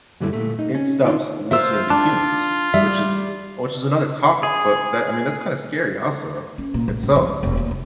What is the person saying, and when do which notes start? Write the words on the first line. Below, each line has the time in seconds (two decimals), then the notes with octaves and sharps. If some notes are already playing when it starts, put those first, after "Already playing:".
it stops listening to humans, which is which is another topic, but that I mean, that's kinda scary also itself.
0.20 F#2 D3 G3 A3 E4
0.33 A#2 A3
0.59 D#4
0.75 C#4
1.05 D#3 D4 D#4 F4
1.51 F4 A#4 C5 E5 F5 E6
1.90 D4 A5 D6 F#6
2.74 G3 E5
4.43 G#4
6.58 C#4
6.74 A#2
6.88 A1
7.03 C#2
7.15 F2
7.28 C#2
7.43 E1
7.57 D#2
7.71 D3